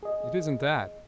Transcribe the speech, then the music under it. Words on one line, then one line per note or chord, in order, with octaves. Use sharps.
"It isn't that."
G#4 D#5